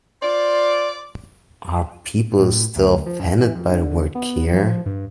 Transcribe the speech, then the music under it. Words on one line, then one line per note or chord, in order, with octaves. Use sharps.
Are people still offended by the word queer?
F4 C5 D5
A2
D2
F3
F#2
E3
F2
D3
B3
F3
G2